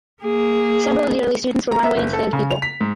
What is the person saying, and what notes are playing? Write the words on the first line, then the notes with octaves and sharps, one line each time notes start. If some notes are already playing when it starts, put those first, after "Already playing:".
Several of the early students were runaway enslaved people.
A#3 G#4
A#5
E5
F#1
A4
C#3
F7
B6
G#2